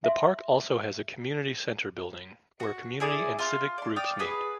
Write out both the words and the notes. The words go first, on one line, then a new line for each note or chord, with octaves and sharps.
The park also has a community center building where community and civic groups meet.
E5 C6
F#4 F#5
E4 G#4 D5
F4 C6 F6
D5 C6
D5 F5 G5 D#6
G#4 B4 F#5